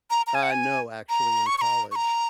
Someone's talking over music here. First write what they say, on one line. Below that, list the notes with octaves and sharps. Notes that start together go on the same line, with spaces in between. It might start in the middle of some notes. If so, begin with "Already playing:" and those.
Uh, no actually, in college
A#5
A#5
G#5
F#5
G#5
A#5
C#6
C#6
A#5
C#6
A#5